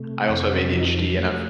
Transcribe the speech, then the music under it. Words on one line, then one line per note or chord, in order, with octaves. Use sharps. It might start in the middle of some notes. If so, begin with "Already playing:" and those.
I also have ADHD, and I've,
Already playing: C3 A3
F2
F3 D#4
A3 F4